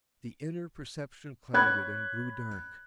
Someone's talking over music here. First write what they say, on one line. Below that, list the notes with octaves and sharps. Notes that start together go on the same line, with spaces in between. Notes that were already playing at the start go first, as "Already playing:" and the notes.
The inner perception clouded and grew dark.
C#5 B5 F#6 G#6